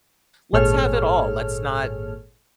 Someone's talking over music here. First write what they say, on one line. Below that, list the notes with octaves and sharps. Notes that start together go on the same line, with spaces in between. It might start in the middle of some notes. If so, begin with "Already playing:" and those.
Let's have it all. Let's not
G#1 A#2 G#4 A4 C#5 F6